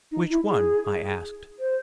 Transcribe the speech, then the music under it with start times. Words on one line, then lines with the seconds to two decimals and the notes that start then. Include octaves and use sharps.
"Which one?" I asked.
0.12 D#4
0.30 E4
0.48 G#4
1.59 C5